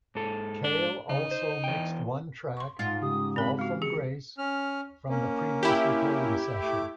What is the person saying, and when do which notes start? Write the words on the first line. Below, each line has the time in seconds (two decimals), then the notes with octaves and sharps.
Cale also mixed one track, "Fall from Grace", from the previous recording session.
0.15 G#2 A4
0.64 D4
1.09 C#3 D#4
1.31 C5
1.64 E2 G5
2.57 C6 C#6
2.79 G#2 F4 A6
3.02 C#3 G4 D#6
3.36 C4 A#4 B5
3.59 G#3 F#4 F5
3.82 E3 G#4 C#7
4.38 C#4 F6
5.09 A#3 C#4
5.63 E4 G4
6.61 A3 D6